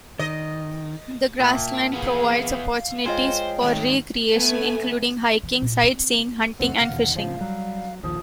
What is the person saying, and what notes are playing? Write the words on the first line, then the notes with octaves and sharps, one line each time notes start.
The Grassland provides opportunities for recreation, including hiking, sightseeing, hunting, and fishing.
D#3 D#5
A#2 A#3 E5 G5 A5
B3 G#4 F5
G#3 F4 C5 C#5 D#5 G5
G#2 D#3
A3 B3 G#5
E3
A#2
C4
C#2 F#2 C4 F#5
G2 C3 F5
E2 B2 D#3
A2 C#3 F3 F5
F#3 G3
A#1 D#2 D#3 F3 D#6